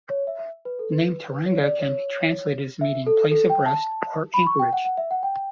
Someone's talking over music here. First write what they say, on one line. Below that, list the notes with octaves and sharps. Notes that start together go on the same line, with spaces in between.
The name Tauranga can be translated as meaning 'place of rest' or 'anchorage'.
C#5
E5
E5
B4
A4
B4
B4
C#5
D5
C#5
E5
A4
A4
G5
A5
B5
C#6
G5
F#5
F#5
E5
F#5
G5